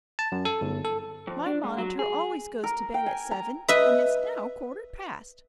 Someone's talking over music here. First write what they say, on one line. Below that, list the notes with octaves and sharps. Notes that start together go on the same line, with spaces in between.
My monitor always goes to bed at seven, and it's now quarter past.
A5
F#2
A4
G1
A4
F2
D4
G#2
F#3
G#4
A#4
G5
G#5
A#5
B4 D#5 E5